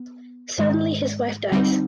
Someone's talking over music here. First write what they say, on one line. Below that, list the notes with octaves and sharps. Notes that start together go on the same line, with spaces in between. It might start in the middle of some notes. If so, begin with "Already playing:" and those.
Suddenly his wife dies.
Already playing: B3
G#2 D#3 G#3
D3 G3 C4 D#4